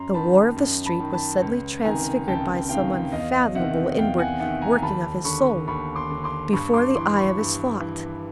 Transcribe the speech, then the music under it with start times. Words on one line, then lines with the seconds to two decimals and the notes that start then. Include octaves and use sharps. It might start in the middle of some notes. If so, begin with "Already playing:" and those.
The war of the street was suddenly transfigured by some unfathomable inward working of his soul, before the eye of his thought.
Already playing: F#2 A#5 C6
0.14 D#3 A5 B5
0.57 F#2
0.85 A5 B5
1.00 D#3
1.13 A5 B5
1.42 C#2
1.84 C3 D#3 G#5 A#5
2.28 C#2 G5 A5
2.69 C3 D#3 F5 G5
3.12 E2 D#5 F5
3.55 C3 D#3 E5 F#5
3.98 E2 F5 G5
4.18 F#5 G#5
4.40 C3 D#3 E5 F#5
4.62 G#5 A#5
4.82 D#2 A5 B5
5.25 D3 B5 C#6
5.68 D#2 B5 C#6
5.96 C6 D6
6.11 D3
6.24 C6 D6
6.53 G2 B5 C#6
6.74 C6 D6
6.95 E3 C6 D6
7.17 B5 C#6
7.39 G2
7.80 E3